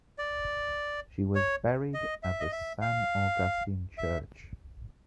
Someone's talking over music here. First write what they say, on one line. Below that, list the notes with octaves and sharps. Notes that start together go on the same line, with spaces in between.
She was buried at the San Agustín church.
D5
C#5
D#5
E5
D#5
E5
F5
E5